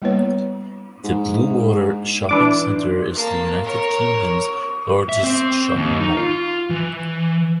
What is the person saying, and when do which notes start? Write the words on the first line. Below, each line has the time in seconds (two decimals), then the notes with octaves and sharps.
The Bluewater shopping centre is the United Kingdom's largest shopping mall.
0.02 G3 A#3 B3 E4 B4 C#5
1.04 G#2
2.29 E3 D4 D6
3.15 A#3 A5
3.65 A#4 C#5
5.09 E5
5.24 C4
5.75 D#2
6.00 D#4
6.17 F4
6.70 E3